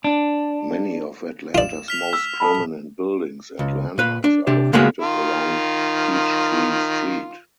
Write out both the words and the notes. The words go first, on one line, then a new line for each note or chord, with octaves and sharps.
Many of Atlanta's most prominent buildings and landmarks are located along Peachtree Street.
D4
F4 D5 E7
F6 B6 F7
E6
A4 A5 B5
C#2
A#2 B4
D4
C3 D4 G4
C#3 G#3 A#3 B3 F#4 G#4
D#3 F4